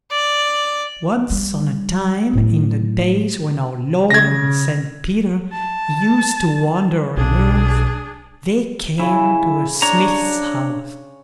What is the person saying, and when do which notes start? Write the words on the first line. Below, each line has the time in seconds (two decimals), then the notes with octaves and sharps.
Once on a time, in the days when our Lord and St Peter used to wander on earth, they came to a smith's house.
0.11 D5
1.30 G3
2.33 A2 F#3
4.10 C#3 G#6 A#6
5.52 A5
7.17 B1 D4 G#4
8.99 C#3 E4
9.82 D4 C#5 A#5